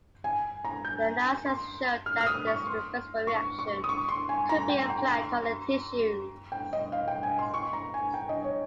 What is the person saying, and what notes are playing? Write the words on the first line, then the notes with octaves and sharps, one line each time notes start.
Their analysis showed that this reversible reaction could be applied to other tissues.
G#5
A#5
G6
C6
F6
F6
D#6
C#6
C6
C#6
C#6
D#6
C#6
C6
G#5
A#5
G5
G5
A#5
G5
D#5
F5
G5
G#5
C6
C#6
A#5
G#5
G5
D#5
C#5